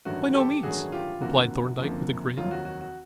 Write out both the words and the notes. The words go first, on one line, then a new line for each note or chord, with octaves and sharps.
"By no means," replied Thorndyke, with a grin.
A1 G2 D#3 F#3 A3 F#4
G4 A4
A1 G2 D#3 F#3 A3 F#4 G#4
F4 G4
F#1 F2 D3 F3 A#3 F#4
F#1 F2 D3 F3 A#3
F1 D#2 D#3 F#3 F4
F#4
F#4
F#4